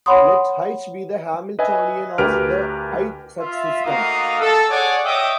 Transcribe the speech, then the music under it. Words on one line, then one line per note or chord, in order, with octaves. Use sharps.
Let "H" be the Hamiltonian of the "i"th such system.
C#5 F#5 B5 C6 D#6
B4 D#5 E5 G#5
D2 G4 A#4 B4 F6 D7
F4 E5
A3 A#3 D#4 F#4 F5 D#6
A4
G#4 C#5 D5 F#5 D6
C#5 D#5 E5 G5 D6 D#6